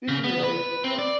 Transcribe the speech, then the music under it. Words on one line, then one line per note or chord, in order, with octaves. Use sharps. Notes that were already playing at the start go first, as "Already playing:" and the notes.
Did you really? Oh,
C#3
B3
B4
C4
D5